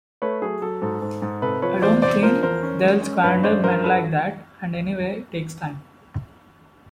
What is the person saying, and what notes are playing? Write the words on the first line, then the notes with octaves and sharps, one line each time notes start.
I don't think they'll squander men like that, and anyway it takes time.
A3 B4 C#5
F#3 G#4
F#3 A4
G#2 A4
G#2
G#2
C3 A4 B4
F3 B4 C#5
E2 C5 D5
C3 C5 D5
F3 A#4 C5
E2 A#4 C5
C#4
G#3
C#4
G2 B4 C#5
C#4 C5 D5
G2 A#4 C5
F3 A4 B4